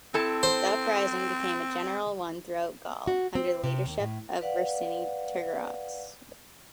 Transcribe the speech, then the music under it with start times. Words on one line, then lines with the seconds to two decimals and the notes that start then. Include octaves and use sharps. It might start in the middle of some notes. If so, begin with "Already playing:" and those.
The uprising became a general one throughout Gaul, under the leadership of Vercingetorix.
0.14 C4 E4 A4 A5
0.43 C5
3.07 F#4
3.35 C4
3.64 C3
3.86 D#2
4.00 A2
4.41 B4 D5 F5 F#5